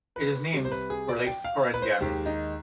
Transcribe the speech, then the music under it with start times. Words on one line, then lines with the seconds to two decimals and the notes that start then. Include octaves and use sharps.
It is named for Lake Corangamite.
0.16 B4
0.53 C2 C3 G3
0.65 C5
0.72 B4
0.90 G#4
1.09 D5
1.26 G5
1.44 F5
1.74 B4
1.82 C5
2.00 D#2 D#3 G#3 G4
2.26 D#4